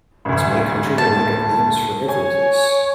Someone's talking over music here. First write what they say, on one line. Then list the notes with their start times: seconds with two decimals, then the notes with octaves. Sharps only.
It's my country and I got names for every place.
0.25 A1 D2
0.98 A5
2.08 C#5 G#5